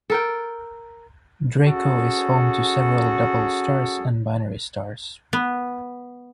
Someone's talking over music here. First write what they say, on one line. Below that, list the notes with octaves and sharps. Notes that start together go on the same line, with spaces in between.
Draco is home to several double stars and binary stars.
A4 A#4 G5
C#4 F#4 G#4 A4
B3